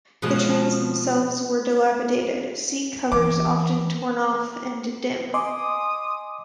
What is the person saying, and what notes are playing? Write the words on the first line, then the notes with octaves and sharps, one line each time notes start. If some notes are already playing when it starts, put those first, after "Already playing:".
The trains themselves were dilapidated, seat covers often torn off, and dim.
B2 F3 G#3
E3 D6
D#5 G#5 C6 D6 D#6